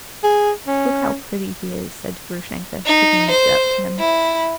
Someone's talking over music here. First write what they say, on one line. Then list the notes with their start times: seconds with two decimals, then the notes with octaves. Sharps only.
"Look how pretty he is," said Grushenka, taking Mitya up to him.
0.24 G#4
0.67 C#4
2.85 D#4
3.30 C5
3.98 E4